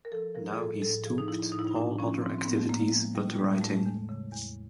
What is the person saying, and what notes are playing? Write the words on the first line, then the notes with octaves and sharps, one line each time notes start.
Now he stooped all other activities but writing.
A#4
F3 A4
F3 A#4
G#4
A2 A4
A2 A4
F3 G#4
D#4
F3 E4
A2 D#4
E4
D#4
A2 D4
F3 C#4
F3 C4
C4
A2 B3
A3
A2 A#3
F3 G#3
F3 G3
G3
A2 G#3
A2 A3
G#3
A3
E2
C#3
E2